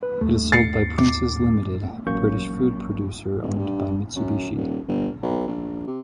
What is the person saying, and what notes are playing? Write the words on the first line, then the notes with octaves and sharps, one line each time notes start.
It is sold by Princes Limited, a British food producer owned by Mitsubishi.
B4
D#2 A3
A6 C7 C#7
D6
A1 F#3 A#3 C#4 C#6 G6
G1
G2
F#2
D#1
G1
B1
A#1
C3